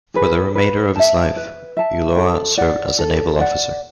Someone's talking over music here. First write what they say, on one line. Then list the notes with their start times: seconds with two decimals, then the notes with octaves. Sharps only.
For the remainder of his life, Ulloa served as a naval officer.
0.14 G#4 B4
0.55 B4
0.96 E5 A5
1.36 B4
1.77 E5 A5
2.17 A4
2.57 D5 F#5
2.99 A4
3.39 D5 F#5